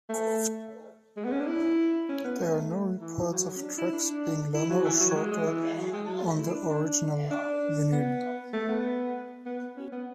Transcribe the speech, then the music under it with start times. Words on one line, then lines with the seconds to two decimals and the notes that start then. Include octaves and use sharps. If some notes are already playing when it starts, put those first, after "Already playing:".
There are no reports of tracks being longer or shorter on the original vinyl.
0.09 A3
1.17 G#3
1.25 B3
1.32 C#4
1.40 D4
1.47 E4
2.09 C#4
2.24 B3
2.39 A3
3.01 E3
3.31 F#3
3.47 F#3
3.57 C#4
3.62 D4
3.78 E4
3.93 D4
4.54 E4
4.70 F#3
4.85 E3
5.00 F#3
5.11 F#3
5.16 G#3
5.31 G#3
5.47 E3
5.77 F#3
5.93 G#3
6.08 F#3
6.23 A3
6.39 E4
6.54 D4
6.70 D4
7.31 D4
7.92 B3
8.53 A3
8.69 B3
9.46 B3
9.77 C#4
9.92 B3